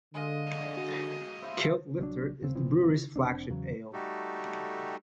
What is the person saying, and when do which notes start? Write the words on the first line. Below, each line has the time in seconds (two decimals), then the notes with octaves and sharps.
Kilt Lifter is the brewery's flagship ale.
0.14 D3 G#3 D#5 F5
0.77 F#4
1.42 E4 C5 F5
1.99 A#1 F#3 C4 D4
2.42 D#1 C#3 C4
2.55 G#1 E3 F3 C4
3.16 F1 C4 D4
3.50 E2 C#3 F#3
3.93 G3 A3 D#4 F#4 G4 A4